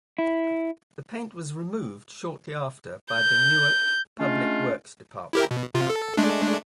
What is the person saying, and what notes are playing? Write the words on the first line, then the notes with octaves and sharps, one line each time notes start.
The paint was removed shortly after by the Newark Public Works Department.
E4
G6
G#3 A3 C#4 D4 F4
E4 G4 A#4
B2
C3 F4
A4
G#3 A3 D4